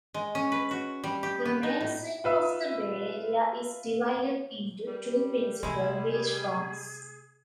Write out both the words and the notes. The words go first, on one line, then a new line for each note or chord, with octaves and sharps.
The main sweep of the bay area is divided into two principal beachfronts.
G#3
C#4
B4
F#4
G3
G4
B3
D#4
A2
F4 B4 E5
G3
C3 G#3 A3 E4 G#4